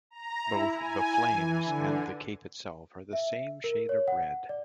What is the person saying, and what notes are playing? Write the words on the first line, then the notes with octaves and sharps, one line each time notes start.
Both the "flames" and the cape itself are the same shade of red.
A#5
E4
G#5
E3
D3
E5
A#4
C#5
F#5
D5